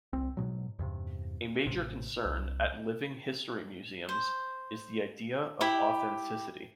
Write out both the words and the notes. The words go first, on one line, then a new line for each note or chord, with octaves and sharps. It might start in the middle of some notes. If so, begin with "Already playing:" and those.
A major concern at living history museums is the idea of authenticity.
C2 C4
G#2 B2 F#3
E2 G2 C3
A1 C3
C2
C5
E4 G4 B5